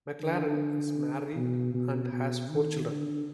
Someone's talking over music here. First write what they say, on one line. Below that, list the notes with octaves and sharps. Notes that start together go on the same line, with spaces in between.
McLaren is married and has four children.
D3
B2
B2
B2
D#3
D3